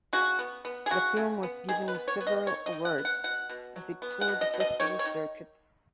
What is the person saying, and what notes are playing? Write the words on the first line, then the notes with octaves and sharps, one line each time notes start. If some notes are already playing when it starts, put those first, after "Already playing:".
The film was given several awards as it toured the festival circuits.
C#3 F#4
B3
B3
G#4
C#3 F#4
C#3
B3
D#3 G#4
B4
B3
C#5
B3
D#5
D#3 C#5
D#5
D#3
F#5
B3
F#5
B2 F#5
B2
F#3
B3
F#5
B2
D#5
B2
D#5
D#3 C#5
C#5
D#3